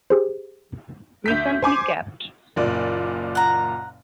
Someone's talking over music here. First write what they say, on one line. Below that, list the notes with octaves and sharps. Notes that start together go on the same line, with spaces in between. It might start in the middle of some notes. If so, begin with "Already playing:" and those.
Recently Capt.
G4 G#4 C5
D2 G6 B6
C5 G#5 D6
F#1 A#2 D5
F#5 A#5